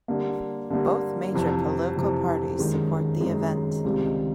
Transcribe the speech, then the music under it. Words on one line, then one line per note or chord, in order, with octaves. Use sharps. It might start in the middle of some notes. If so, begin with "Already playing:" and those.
Both major political parties support the event.
D3 G3 A#3
D3 G3 A#3
F2 C3 E3
F2 C3 E3
F#2 D#3 G#3
F#2 D#3 G#3
C#2 C3 D#3 G3 C4